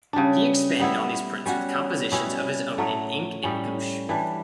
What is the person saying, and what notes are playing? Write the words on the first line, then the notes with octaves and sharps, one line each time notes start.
He expanded on these prints with compositions of his own in ink and gouache.
C#3 G3 D4
G3 B3 E4
G3 C#4 F#4
B2 G3 C#4 E4
A2 F#3 A3
A2 G3 C#4
E3 G3 D4